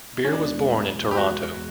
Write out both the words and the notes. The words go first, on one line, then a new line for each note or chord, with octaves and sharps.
Beer was born in Toronto.
C#4
E2 B2 G#3 D4
G4
F#4